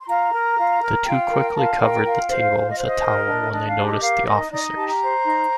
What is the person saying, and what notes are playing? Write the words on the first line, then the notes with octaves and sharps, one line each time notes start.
The two quickly covered the table with a towel when they noticed the officers.
C6
F4 A#5
A#4
F4
A#4
F4 G5
A#4
F4 A5
F5
A#4 G5
F4 G5
C5 F5
F4
D#5
C5
D#5
A#4
D4
D4 D#5
F5
G4
D#5
A#4 F5
D#4 D#5
D#4 D5
D#5
G4 A5
A#5
C5
D#4